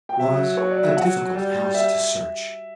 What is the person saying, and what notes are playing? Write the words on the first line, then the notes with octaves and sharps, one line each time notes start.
It was a difficult house to search.
G5
F#3 E5
C#5
D5
E5
F#5
G3
E5